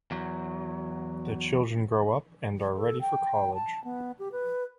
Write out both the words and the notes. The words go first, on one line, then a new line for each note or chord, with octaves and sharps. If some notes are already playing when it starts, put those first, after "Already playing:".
The children grow up and are ready for college.
E2 F#3
A4
G5
A5
B3
G4
B4